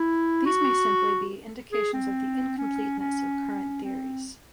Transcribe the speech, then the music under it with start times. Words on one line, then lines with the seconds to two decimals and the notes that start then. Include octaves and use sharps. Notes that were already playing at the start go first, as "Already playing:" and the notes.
These may simply be indications of the incompleteness of current theories.
Already playing: E4
0.46 F#4
1.72 G#4
1.93 C4
2.58 C#4
2.99 C#4
3.83 C4